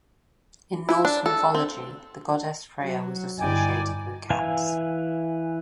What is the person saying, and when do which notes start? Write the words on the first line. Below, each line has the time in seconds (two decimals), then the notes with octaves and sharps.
In Norse mythology, the goddess Freyja was associated with cats.
0.89 E4
1.05 D4
1.26 A4
1.55 C4
2.83 F#3
3.39 G1 D#4 E4 D5 G5 G#5
4.30 E3 E5 F5 G#5